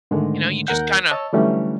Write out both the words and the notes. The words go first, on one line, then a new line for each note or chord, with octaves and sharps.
you know, you just kinda
G#2 D3 D#3 G#3 A3
D#2 A#4 F#5 G6
C#5 D#5 A5 E6
D3 E3 F#3 G3 A3 C#4